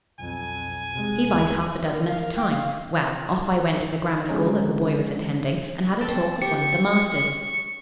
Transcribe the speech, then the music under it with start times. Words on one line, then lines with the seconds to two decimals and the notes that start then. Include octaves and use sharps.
He buys half a dozen at a time.' Well, off I went to the grammar school that the boy was attending, and had a talk with one of the masters.
0.19 B1 F2 G#5
0.91 C3 G#3
1.31 D2
1.91 A#4
2.07 F5
2.20 A#4
2.36 G5
2.50 F5
4.29 D3 F3 G#3 C#4 D#4
6.01 C4 A4 A5
6.42 G4 C#6 C#7